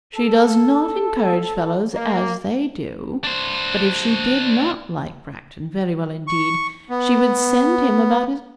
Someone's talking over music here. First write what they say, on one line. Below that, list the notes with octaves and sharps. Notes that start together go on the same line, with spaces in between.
She does not encourage fellows as they do; but if she did not like Bracton very well indeed, she would send him about his business.
A4
A#3
D4 C5
C#6
B3